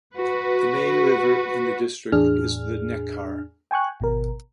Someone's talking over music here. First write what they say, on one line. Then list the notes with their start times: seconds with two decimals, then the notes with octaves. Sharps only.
The main river in the district is the Neckar.
0.14 F#4 B4
2.12 E2 A2 D4 G#4 F6
3.71 G5 G#5 C#6 F#6
4.00 G#1 B2 A#4